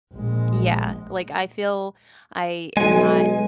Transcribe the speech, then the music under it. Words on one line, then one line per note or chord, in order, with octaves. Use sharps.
Yeah, like, I feel I am not
A#1 G#3
B1 G#3 G#5